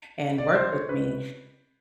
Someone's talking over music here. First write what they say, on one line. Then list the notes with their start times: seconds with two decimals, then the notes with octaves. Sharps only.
and work with me."
0.38 D5
0.55 C5
0.72 C#5
0.89 B4